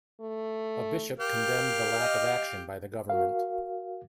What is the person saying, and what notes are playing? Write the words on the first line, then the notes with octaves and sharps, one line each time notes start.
A bishop condemned the lack of action by the government.
A3
G4 A#4 F5
D#5
F#4 A#4 F5